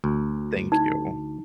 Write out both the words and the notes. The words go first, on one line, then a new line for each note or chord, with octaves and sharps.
Thank you.
D2
D#4